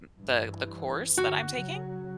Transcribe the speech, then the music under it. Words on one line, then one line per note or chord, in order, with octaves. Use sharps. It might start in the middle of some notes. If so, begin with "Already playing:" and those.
m the the course that I'm taking,
G2 E3
D3 F#4
C#3 F#3